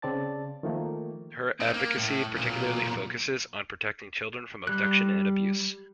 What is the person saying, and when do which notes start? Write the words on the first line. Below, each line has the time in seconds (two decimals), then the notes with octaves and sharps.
Her advocacy particularly focuses on protecting children from abduction and abuse.
0.02 C#3 C4 D5 A5 A6
0.63 D#3 F3 A3 A#3
1.60 C4 D#4
1.74 A#3
1.97 A2
2.36 B1 A#2
4.67 G3 F#6